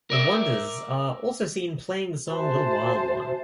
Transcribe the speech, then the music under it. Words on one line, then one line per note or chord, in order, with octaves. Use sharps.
The Wonders are also seen playing the song Little Wild One.
A#4 D5 E5
F#4 C5 E5 G#5 A5